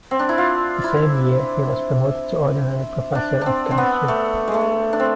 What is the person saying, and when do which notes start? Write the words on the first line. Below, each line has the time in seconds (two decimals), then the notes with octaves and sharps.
The same year, he was promoted to Ordinary Professor of Chemistry.
0.11 C4
0.19 D4
0.29 E4
0.38 F4
0.84 E4
3.15 D4
3.41 C4 D4
3.71 C4
3.78 B3
4.08 A3
4.48 G#3
4.54 A3
4.93 D4
5.00 C4